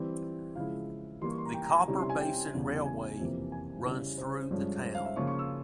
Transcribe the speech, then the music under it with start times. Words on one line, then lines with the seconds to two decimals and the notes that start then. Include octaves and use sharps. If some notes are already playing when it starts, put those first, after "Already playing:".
The Copper Basin Railway runs through the town.
Already playing: E3 G3 C4 E4
0.55 C#3 F3 G#3 E4 F5
1.22 E3 G3 A#3 C6
1.30 C#6
1.38 C6
1.46 A#5
1.54 G5
1.65 A#5
1.76 G#5
1.87 C3 G3 C#4 E4 A#5
1.98 C6
2.10 G#5
2.20 G5
2.53 E2 C#3 G3
2.86 G#5
3.19 F2 C3 E3 A#3
3.52 G#5
3.85 C#3 G3 C#4 E4
4.18 C5
4.51 G2 F3 G#3 C#4
4.84 C5
4.95 F5
5.05 E5
5.16 C#3 F3 A#3 C#4 F4 C#6
5.27 C#6
5.39 E6